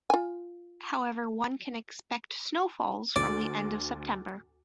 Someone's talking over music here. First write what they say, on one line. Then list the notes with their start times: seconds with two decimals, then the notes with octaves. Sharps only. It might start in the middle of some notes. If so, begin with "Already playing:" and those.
However one can expect snowfalls from the end of September.
0.10 F4 G#5
3.16 D2 D5